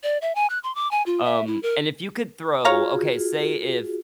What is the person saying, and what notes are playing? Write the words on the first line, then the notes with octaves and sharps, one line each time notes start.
Um, and if you could throw okay, say if
D5
E5
G#5
F#6
C6
D6
G#5
F4
E5
E4
A#4
F4 F#4 G#4 C#5 F5 A#5